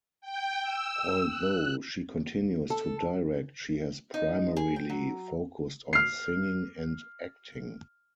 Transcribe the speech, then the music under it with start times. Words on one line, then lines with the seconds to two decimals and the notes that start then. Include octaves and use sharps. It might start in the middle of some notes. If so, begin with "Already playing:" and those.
Although she continues to direct, she has primarily focused on singing and acting.
0.21 G5
0.62 E6
1.27 F#6
2.70 A4
4.14 D#4
4.57 G#4
4.76 G5
4.90 F#3
5.93 F6 C7